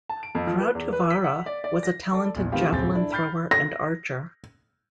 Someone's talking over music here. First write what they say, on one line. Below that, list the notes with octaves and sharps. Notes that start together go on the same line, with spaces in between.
Rautavaara was a talented javelin thrower and archer.
A5
D7
F2
F3
B4
E2
B4
B6
F#5
D5
D5
A#6
A4 D5
A#1 E2
D#3 A3 B3 C4 F4 G4
D#1 C#2 C4 G4 A6
D4 E4
B5 F6 G6 A6 C7
A#6